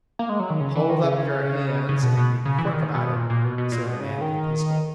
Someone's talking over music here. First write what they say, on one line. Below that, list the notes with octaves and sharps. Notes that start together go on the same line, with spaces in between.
"Hold up your hands, and be quick about it!" said the man with the pistol.
A#3
G#3
F#3
D#3
C#3
E3
D#3
C#3
C#3
B2
B2
C#3
E3
D#3
B2
A#2
A#2
B2
B2
A#2
B2
C#3
D#3